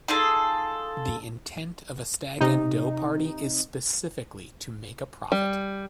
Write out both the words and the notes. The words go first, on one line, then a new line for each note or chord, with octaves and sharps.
The intent of a stag and doe party is specifically to make a profit.
D#4 F4 G#4 A4
C3 D#4
G3